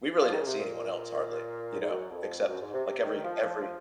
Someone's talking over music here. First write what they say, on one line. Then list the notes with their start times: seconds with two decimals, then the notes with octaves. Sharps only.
we really didn't see anyone else hardly, you know, except, like, every every
0.20 F3
0.32 D#3
0.40 C#3
0.44 C3
0.57 A#2
1.72 F#2
1.80 G#2
1.89 F#2
2.10 F2
2.47 F#2
2.60 G#2
2.73 C3
2.86 C3
3.04 D#3
3.15 D#3
3.24 F3
3.42 F3
3.62 F3